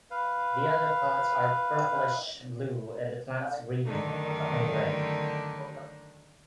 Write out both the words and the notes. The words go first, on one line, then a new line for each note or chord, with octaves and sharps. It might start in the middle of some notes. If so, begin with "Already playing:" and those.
The underparts are purplish-blue and the flanks green and red.
B4 F5
F#2 D3 D#3 A3 D4 D#4